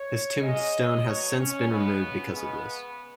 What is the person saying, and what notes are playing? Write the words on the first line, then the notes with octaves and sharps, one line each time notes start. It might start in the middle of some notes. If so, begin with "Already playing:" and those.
His tombstone has since been removed because of this.
Already playing: C#5
C#3 G#3 D#5
B2 F#3 C#5
C#4
C#3 G#3 B3
C#3 G#3 B3